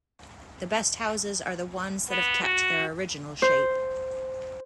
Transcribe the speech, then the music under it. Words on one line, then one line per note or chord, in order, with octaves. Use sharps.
The best houses are the ones that have kept their original shape.
B3
F#4
C5